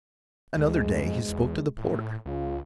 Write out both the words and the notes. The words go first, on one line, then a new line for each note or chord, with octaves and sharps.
Another day he spoke to the porter.
D2 G#2 B2 G#3
F2
E2
A2
C#2 C#3 F4